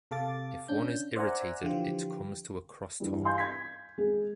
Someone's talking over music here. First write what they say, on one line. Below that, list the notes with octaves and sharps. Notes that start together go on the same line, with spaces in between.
If one is irritated, it comes to a crosstalk.
C3 A4 F5 D6 A6
C#4 D4 G6
C5 D5 E5 F#5 G#5 A#5
D3 E3 F3 F4 G4
G2 E3
F5 G#5 C6 G6
G#6 B6
G#3 G#4